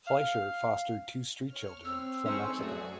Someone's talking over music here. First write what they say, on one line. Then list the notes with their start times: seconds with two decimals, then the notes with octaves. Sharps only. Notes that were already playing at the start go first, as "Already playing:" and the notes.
Fleischer fostered two street children from Mexico.
0.07 F5
1.48 C#5 F6
1.85 C4 E6
2.26 C#4 D#4 G#4 A4 C5 C#6
2.59 F#2 A3 C#4 F#4 G#4 D5